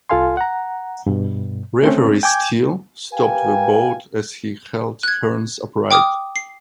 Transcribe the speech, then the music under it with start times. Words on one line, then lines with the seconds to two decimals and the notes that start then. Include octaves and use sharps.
Referee Steele stopped the bout as he held Hearns upright.
0.09 C2 F4 A4 F5 G#5 C6
0.37 F#5 A#5
1.07 G2 B2
1.83 A3 C4 C#4
2.23 G5 G#5 D6 G6 G#6
3.12 G4 A#4 B4 F5 G5 G#5
5.03 F#6 G#6
5.91 G5 D6 D#6 F6
6.36 C7